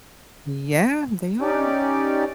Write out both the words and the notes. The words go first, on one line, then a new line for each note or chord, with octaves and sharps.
Yeah, they are,
C#4 D#4 G4 D5